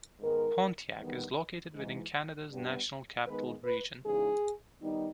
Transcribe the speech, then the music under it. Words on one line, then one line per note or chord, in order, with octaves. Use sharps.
Pontiac is located within Canada's National Capital Region.
G#2 D#3 G#3 B3 D#4 A#4
E2 D#3 G3 B3
G#2 E3 G#3
G2 G3 B3
D#3 G#3 B3 D#4 B4
B4
E2 C#3 E3 G#3 D#4 G#4
D#3 G3 B3 D#4